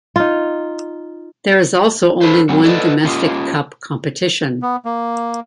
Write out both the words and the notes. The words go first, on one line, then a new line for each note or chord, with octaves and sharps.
There is also only one domestic cup competition.
D#4 F4
D4 A4 B4 C5
F#3 C4 F#4
A4 B4 D5 D#5
C#4 F4 G4 D#5
B3
A#3